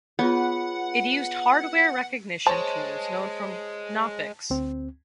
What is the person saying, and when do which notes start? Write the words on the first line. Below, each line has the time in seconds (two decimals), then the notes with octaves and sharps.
It used hardware recognition tools known from Knoppix.
0.19 B3 F4 G#4 C#5 F#5
2.47 G#3 C5 C#5 A5
4.50 D2 C4